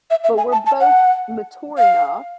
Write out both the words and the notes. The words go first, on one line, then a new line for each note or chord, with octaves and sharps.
but we're both mature enough
E5
E5
G#5
A5
A5
F#5
F5